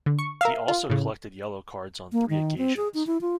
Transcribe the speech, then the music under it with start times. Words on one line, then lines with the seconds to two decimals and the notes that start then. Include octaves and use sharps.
He also collected yellow cards on three occasions.
0.06 D3
0.19 C#6
0.41 A#4 E5 F5
0.68 F4
0.90 A2 C#3
2.12 A#3
2.30 D#3
2.58 C4
2.77 G#4
2.94 D#4
3.07 E4
3.21 F4